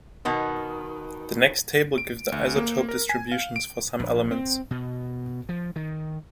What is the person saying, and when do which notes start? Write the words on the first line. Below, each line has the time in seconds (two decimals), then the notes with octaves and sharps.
The next table gives the isotope distributions for some elements.
0.25 B2 D#3 B3
1.98 D7
2.32 D2
2.56 A#3
2.89 A#4
3.09 G#5
3.32 F5
3.56 D7
4.00 A#1
4.31 C4
4.71 B2
5.49 F3
5.76 D#3